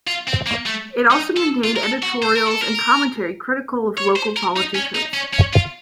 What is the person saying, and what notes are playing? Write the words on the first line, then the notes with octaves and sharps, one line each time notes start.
It also contained editorials and commentary critical of local politicians.
F4
C4
A#3
A3
D#4
A4
F4
A#4
A4
F#4
C5
A#4
A4
A#4
C#5
C5
A#4
D#4
C#4
D#4
C#4
C#4
F4